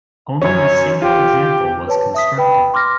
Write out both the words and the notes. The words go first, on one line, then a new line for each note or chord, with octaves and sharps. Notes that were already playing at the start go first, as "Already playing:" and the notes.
Only a single example was constructed.
F#2 C#4 C#5
F4 G4
B4 C#5 A5
E5 D#6 B6
B4 G5 B5
C6 D6 F6 A#6